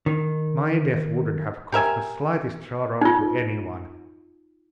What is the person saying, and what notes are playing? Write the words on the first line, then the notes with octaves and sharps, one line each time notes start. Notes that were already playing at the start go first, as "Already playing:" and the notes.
My death wouldn't have caused the slightest sorrow to any one.
D#3
G4 A#4 E5 G#5
D#4 F4